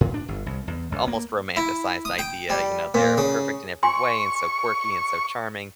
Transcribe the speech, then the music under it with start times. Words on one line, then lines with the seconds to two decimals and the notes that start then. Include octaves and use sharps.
almost romanticized idea, you know, they're perfect in every way and so quirky and so charming,
0.01 A2
0.14 D4
0.28 G1
0.46 C2
0.68 E2
0.92 C#2
1.08 A#3
1.57 E4
2.05 D#6
2.19 G5
2.50 G3
2.94 A#2
3.18 C#3
3.83 G#5 C6 C#6